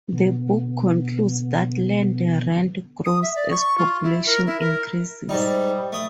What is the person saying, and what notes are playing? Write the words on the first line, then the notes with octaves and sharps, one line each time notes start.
The book concludes that land rent grows as population increases.
B2 D3 B3
D#6
E5
D5
C#6
F4
E4
A#4
E4
A#4
G#2 G3 D#4
A3 D#6